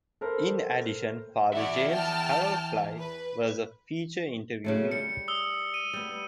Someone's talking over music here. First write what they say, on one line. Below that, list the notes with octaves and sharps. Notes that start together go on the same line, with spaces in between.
In addition, Father James Harold Flye was a featured interviewee.
A4 A#4 C5 B5
E2 E4 F#4 D5 E5
G5 A5 F6
B4
C#3 F#3 A3
G3 C#7
D#6 E6 G7
D#7
G3 B3